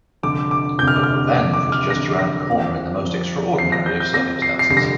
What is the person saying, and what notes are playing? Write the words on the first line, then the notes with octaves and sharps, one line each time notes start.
But revenge was just around the corner in the most extraordinary of circumstances.
F1 F2 D3 D6
D6
F1 F2 D3 G6
F6
D6
F6
F1 F2 D3 D6
D6
F6
F1 F2 D3 A#6
A#6
F2 F3 C4
F2 F3 C4
F2 F3 C4 C7
A#6
G6
G6
F2 F3 C4 A#6
C7
C7
F1 F2 D3 G3 C7
A#6